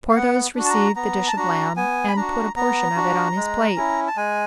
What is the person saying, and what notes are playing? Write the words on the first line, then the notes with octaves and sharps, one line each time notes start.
Porthos received the dish of lamb, and put a portion of it on his plate.
F5
B3 F#5
D4 F#4
A5
A#5
B3 A#5
A5
D4 F#4 A#5
B3 G#5
B5
D4 F#4 A#5
B3 A#5
D4 F#4
G#3
C#4 E4
A5
G#3 G#5